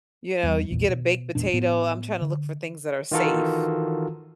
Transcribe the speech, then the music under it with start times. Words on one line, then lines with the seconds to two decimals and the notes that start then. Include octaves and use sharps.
You know, you get a baked potato, I'm trying to look for things that are safe.
0.43 E2 E3 G3
0.70 A#1 E2 A#2
0.89 B2
1.35 E1 E2 A#2 D4
1.53 A2 B3
2.21 D3
3.11 D#3 E3 F4 F#4 A4 A#4